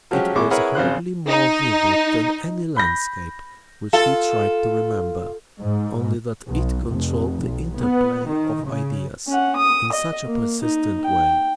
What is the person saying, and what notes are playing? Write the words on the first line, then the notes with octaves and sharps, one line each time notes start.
It was hardly more vivid than any landscape which he tried to remember, only that it controlled the interplay of ideas in such a persistent way.
F3 F#3 G#3 C#4 G4
G#1 G#3 E4 C#6 D6
E4 G#4 A#4 B4 C#5 F#5
G#1 C#3 C5 F#6
D#4
B5 G6 A#6
F4 A4
G#2
B1
F1
B1
B3
D#3
C#3
C#4 F#5
D#6
D#5
A#3
D#4
G5